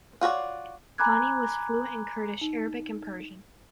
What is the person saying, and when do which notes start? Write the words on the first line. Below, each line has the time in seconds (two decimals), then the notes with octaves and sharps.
Khani was fluent in Kurdish, Arabic and Persian.
0.21 F4 F#4 C#5 D5
0.98 G#5 A#5 B5 D6 F#6 G#6
2.41 D#4